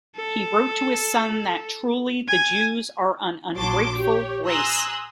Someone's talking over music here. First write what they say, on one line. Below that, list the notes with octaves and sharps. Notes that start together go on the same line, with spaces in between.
He wrote to his son that "truly the Jews are an ungrateful race".
A4
G#5 G#6
A#1 F#3 A5 C6 D6
G4 C#5
G#5 A#5 C6 D#6 E6 F#6